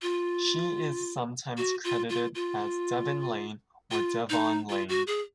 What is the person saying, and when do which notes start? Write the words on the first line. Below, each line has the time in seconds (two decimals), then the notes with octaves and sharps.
She is sometimes credited as Devin Lane or Devon Lane.
0.02 F4
1.57 F#4
1.84 F4
2.09 F4
2.35 F4
3.91 F4
4.30 D#4
4.69 F4
4.89 F#4
5.07 G#4